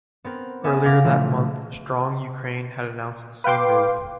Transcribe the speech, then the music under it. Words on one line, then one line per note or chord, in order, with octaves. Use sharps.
Earlier that month Strong Ukraine had announced the same move.
B3 C4 A#4
B3 E5 G#5 A#6
C#3 A#4 F5 D6 A#6
A#2 E3 F3 A3
B4 F5 G5 C6 D6